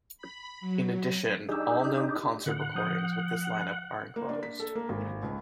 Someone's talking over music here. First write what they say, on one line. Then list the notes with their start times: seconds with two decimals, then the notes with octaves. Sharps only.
In addition, all known concert-recordings with this line-up are enclosed.
0.18 B5
0.61 F#3
1.49 D4 D#4 G4 G#4 E6
2.46 A2 D3 F#5
2.75 F3 D#6 G6
4.16 A#3
4.29 D4
4.43 B6
4.60 A4
4.75 A#3
4.89 G#1
5.23 C#2